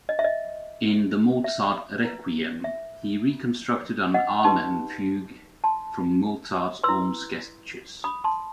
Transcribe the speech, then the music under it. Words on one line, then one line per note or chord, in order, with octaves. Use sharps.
In the Mozart "Requiem", he reconstructed an "Amen" fugue from Mozart's own sketches.
D#5
E5
D#5
E5
E4 B4
E5
D#5 F#5
D#4 G4 B4 A5 C6
A5 C6
E4 B4 C6 E6
B5 D#6
A5 C6